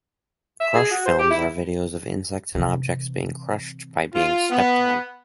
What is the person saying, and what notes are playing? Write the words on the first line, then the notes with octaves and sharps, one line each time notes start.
Crush films are videos of insects and objects being crushed by being stepped on.
E5
G#4
F#4
C5
G4
E4
C3 E3
F4
B3